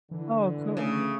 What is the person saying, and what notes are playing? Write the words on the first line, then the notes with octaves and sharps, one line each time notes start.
Oh, cool.
D3 E3
C#3 A3